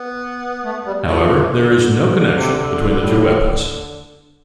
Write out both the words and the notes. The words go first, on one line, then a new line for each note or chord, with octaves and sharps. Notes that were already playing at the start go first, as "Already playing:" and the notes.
However, there is no connection between the two weapons.
Already playing: B3
A3
G3
F3 A3
D3
E3
D3
D3
C3
A2